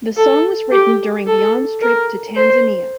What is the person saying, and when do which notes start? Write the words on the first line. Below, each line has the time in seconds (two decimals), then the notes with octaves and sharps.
The song was written during Beyond's trip to Tanzania.
0.17 A4
0.72 G4
1.27 A4
1.82 A#4
2.37 C5